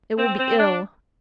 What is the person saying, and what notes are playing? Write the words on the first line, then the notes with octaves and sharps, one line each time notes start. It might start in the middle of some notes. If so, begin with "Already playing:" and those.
It will be ill.
C4
C4
D4